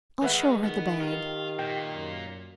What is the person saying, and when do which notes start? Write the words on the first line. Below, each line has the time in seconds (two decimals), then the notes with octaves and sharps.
"I'll show her the bag."
0.22 D#3 G#3 B4 E5 F#5
0.64 D#3 B3
1.01 F4 G4
1.59 A#2 G5
1.93 F#2